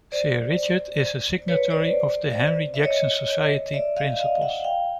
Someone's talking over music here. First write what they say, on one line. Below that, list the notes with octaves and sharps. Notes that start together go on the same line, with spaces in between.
Sir Richard is a signatory of the Henry Jackson Society principles.
C5 D5
B4 C#5
C5 D5
E5
C#5 D#5
D5 E5
D#5 F5
D#5 F5
E5 F#5
F5 G5